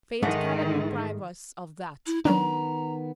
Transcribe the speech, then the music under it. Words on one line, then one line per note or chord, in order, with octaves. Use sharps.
Fate cannot deprive us of THAT.
G#2 D#3 G#3 A3
E4
D#3 F#3 B3 C#4 D4 A#5